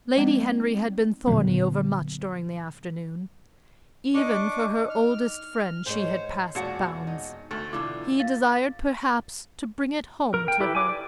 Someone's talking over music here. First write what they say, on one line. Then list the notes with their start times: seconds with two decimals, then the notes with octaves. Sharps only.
Lady Henry had been thorny over much during the afternoon; even for her oldest friend she had passed bounds; he desired perhaps to bring it home to her.
0.16 F3 G#3 C4 D#4
1.27 A#2 D3 F#3 B3
4.14 D4 D#4 D#5 C#6 D6
4.90 F6
5.86 G#2 D#4 C5 C#5
6.55 E1 A#2 F#4 A5 C#7
7.07 D#4
7.51 D2 A3 A6
7.73 B2 D3 E3 E4 F4 D6
8.20 F5 A6
10.34 A#4
10.48 G5
10.60 E4 G4 A4 B4
10.75 G#5 D6
10.89 D5